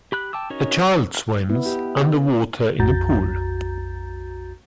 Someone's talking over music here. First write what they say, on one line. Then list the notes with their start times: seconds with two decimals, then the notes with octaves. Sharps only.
A child swims underwater in a pool.
0.12 G4 B5 F#6
0.33 G5 A5 D6 E6
0.50 C#4 D#4 F#4 A#4 C#5
1.49 B3 E4
1.66 G4 D#5
2.79 A#1 F2 F#4 A#5 G6 A6